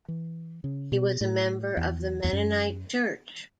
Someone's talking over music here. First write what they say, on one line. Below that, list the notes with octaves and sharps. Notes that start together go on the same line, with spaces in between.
He was a member of the Mennonite Church.
E3
C#3
B2
A2
E2
E2
F#2